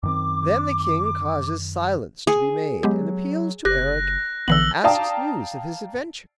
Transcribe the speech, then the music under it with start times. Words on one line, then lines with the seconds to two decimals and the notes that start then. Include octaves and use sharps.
Then the King causes silence to be made, and appeals to Erec and asks news of his adventures.
0.03 F#2 D#3 C4 D6
2.27 G#4
2.83 F#3 G#3 B3 G4
3.65 F#1 G4 F#6 A#6
4.48 A#1 D3 E3 B3 E6 F#7
4.84 D5 F5 G5 A5 A#5 D#6